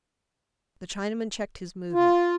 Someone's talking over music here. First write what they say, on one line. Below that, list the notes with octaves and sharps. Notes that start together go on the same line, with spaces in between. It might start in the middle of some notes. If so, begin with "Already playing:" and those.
The Chinaman checked his movement.
F4